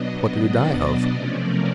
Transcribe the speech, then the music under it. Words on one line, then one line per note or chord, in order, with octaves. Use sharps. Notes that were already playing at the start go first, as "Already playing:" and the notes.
"What did he die of?"
Already playing: B2 F#3 B3 D4 D#5
D5
C3 F3 A3 C#4 D5
A#4